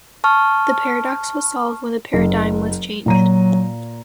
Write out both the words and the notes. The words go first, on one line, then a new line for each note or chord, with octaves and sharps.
The paradox was solved when the paradigm was changed.
A5 C#6 F6
F#1
A#2 F#3 A#5 D#7